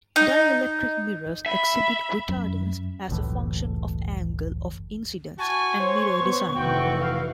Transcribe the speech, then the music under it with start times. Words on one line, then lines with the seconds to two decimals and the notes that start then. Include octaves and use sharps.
Dielectric mirrors exhibit retardance as a function of angle of incidence and mirror design.
0.16 D#4
1.46 E5 B5
2.29 F#2
3.09 F#1 C#2 A2 E3
5.39 E4 F#4 G#5 A5 C#6
5.80 C5 C#5
6.20 B3
6.55 F1 E3 F#4 G5
7.00 F5